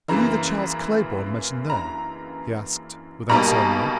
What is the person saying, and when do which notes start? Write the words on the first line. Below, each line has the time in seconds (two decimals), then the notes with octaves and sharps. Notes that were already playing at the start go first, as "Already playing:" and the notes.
"Are you the Charles Claybourne mentioned there?" he asked, without ceremony.
0.09 F#2 C#3 E3 A#3 A#5
1.70 A#5
3.29 B1 B2 G3 A#3 A#5